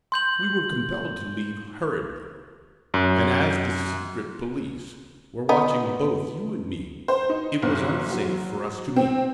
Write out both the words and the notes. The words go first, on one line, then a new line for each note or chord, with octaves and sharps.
We were compelled to leave hurriedly, and as the Secret Police were watching both you and me it was unsafe for us to meet.
C6 G6 F#7
F#2
B3 D#4
C5
D#4
F#1
F#3
C4